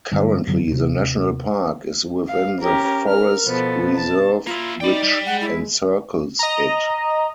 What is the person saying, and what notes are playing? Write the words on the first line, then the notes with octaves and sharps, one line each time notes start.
Currently the national park is within the forest reserve which encircles it.
G2 D3
F#2 D3 F#3
D#2 C3
F5
C#4 G4 A#4
A#4 F6
B2 F3 B3 A4
A5
A#3 E4 F4
D#4 D5 G5 B5
G3
G#3 F#5
E4
D#5 A#5